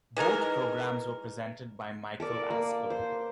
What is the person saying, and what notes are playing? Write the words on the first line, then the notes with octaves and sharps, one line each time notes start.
Both programmes were presented by Michael Aspel.
E3 G#3 D#4 A#4
A4 A#4 D5
A#3
C5